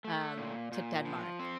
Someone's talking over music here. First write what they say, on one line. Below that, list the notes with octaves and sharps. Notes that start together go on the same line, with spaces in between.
um, to Denmark,
A3
A#2
A#2
F3
C4